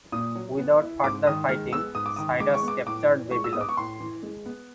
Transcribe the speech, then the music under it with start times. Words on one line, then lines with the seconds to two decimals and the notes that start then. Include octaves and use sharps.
Without further fighting, Cyrus captured Babylon.
0.12 A#2 D#6
0.35 F#3
0.59 B3
0.81 E4
1.04 G#2 D6
1.27 D#3 D#6
1.49 G#3 F6
1.72 B3 E6
1.95 G#2 D#6
2.06 D6
2.16 D#3 D#6
2.40 G#3 D6
2.54 C#6
2.63 B3
2.68 D6
2.86 A2 D6
3.09 E3
3.31 G#3 C#6
3.44 E6
3.53 B3 D#6
3.61 D6
3.69 C#6
3.77 A2 C6
4.00 E3
4.23 G#3
4.46 B3